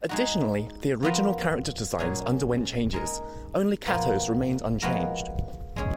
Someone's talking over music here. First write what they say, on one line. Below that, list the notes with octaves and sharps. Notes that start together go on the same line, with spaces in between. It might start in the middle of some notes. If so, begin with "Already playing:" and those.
Additionally, the original character designs underwent changes, only Kato's remained unchanged.
G#3 D#4 F#4
F3 B3 F4 A#4
A#2 F#3 C#4 G#4
G#3 D#4 A#4
A#2 F3 B3 F4 A#4
F3 G#3 B3 F#4 A#4
G#3 C#4 G#4